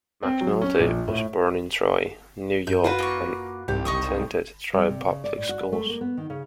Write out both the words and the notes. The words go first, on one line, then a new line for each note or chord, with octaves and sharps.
McNulty was born in Troy, New York and attended Troy public schools.
C4
F#3
C#4
A#1
A2
F#2 G6
F4 F#4 B4
A#3 C#6
C2 G#2 G4
F#1 D#4 C#6 D#6
G3
C3
C#3
D5
A2
F#4
B4
A3
A#3
B3
D#3
C#3